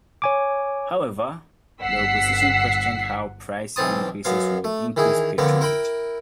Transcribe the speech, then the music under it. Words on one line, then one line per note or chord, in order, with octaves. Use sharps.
However the Opposition questioned how price increases would increase patronage.
C#5 G#5 D6
G1 F#5 E6 B6 C7
B1 E3 C4 A5 D#6
F#2 B3 F5
A3
D#3 E3 E4 G#4
F2 D3 A#3 B3
E4 A#4 G5 B5